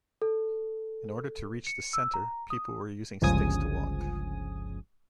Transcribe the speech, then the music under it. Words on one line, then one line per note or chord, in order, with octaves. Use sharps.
In order to reach the centre, people were using sticks to walk.
A4
C#7
E6
A#5
D#6
G1 C#2 C#3 F3 G#5 D#6